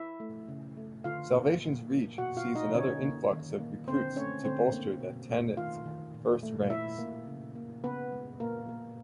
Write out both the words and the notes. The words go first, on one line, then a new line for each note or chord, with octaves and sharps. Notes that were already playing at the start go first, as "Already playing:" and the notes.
"Salvation's Reach" sees another influx of recruits to bolster the Tanith First's ranks.
Already playing: E4 E5
A3
C#3
A3
D3 F4 F5
A#3
A#2
A#3
B2 F#4 F#5
F4 F5
B2
D#4 D#5
D3 C#4 C#5
A#3
D#3
A#3
D3 C4 C5
A3 C#4 C#5
D3 C4 C5
A#3
B2
A3
D#3 F4 F5
D#3
A#2
A3
A#2 E4 E5
A#3
C#3
A#3
C#3 B3 B4
G#3
A#2 A#3 A#4
A#3